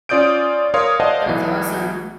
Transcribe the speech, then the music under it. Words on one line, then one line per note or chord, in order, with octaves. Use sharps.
that's awesome.
C#4 F4 D5 D#6 G6 D7
A#4 C#5 F5 C6 D#6
C5 D5 D#5 F5 F#5 A5
B1 B2 E3